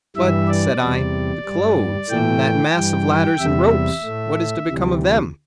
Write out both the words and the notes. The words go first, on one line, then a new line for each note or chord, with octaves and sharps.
"But," said I, "the clothes, and that mass of ladders and ropes, what is to become of them?"
G2 E3 G3 E5
D5
E2 C3 G3
G2 G3
A2 E3 A3 G5
G2 E3 G3
E2 C3 G3 E5
A2 A3
D2 C3 E3 G3